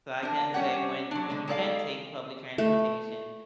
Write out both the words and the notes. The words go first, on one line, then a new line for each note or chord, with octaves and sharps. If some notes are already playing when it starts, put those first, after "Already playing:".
So I can say when when you can take public transportation,
D4 A#4
G3 C#4 G4 C#5 F#5
F#3 D4
D3 G#3
G#3 D#4 A4 D5 F5
A3